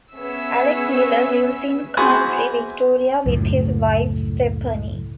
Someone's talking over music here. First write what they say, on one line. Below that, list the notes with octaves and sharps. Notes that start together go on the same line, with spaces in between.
Alex Miller lives in country Victoria with his wife Stephanie.
B3 C#4 G#4 E5 E6
E3 B3 F#4 G#4 C5
C#2 F#2 A2